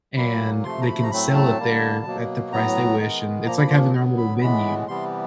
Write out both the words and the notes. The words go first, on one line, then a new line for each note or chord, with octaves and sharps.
and they can sell it there at the price they wish, and it's like having their own little venue.
A#2 F#3 A#3 B5
C3 F3 A3 C6
A#5
B5
A#5
A2 F#3 A3 C4 B5
A5
D3 G3 A#3
B2 F#3 A#3
A2 F#3 B3 A#5
D#3 G#3 B3
A#2 F3 A#3 A#5
B5
C6
D3 F#3 B3
B5
A2 E3 G#3 B3 B5
C3 E3 G3 B3 C6